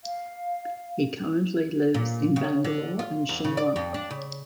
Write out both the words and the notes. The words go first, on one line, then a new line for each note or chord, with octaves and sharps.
He currently lives in Bangalore and Shimla.
F5
A#2
C#3
D3
F4
E2
C#3
D5
F2
D4
C#3